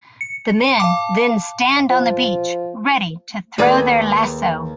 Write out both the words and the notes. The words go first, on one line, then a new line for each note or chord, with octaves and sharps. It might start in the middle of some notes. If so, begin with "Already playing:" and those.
The men then stand on the beach ready to throw their lasso.
C#7
F5 A5 D6
F3
D#2 G#4 B4 D5